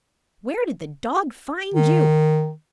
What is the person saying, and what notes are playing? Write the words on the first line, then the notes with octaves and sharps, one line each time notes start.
"Where did the dog find you?"
D#3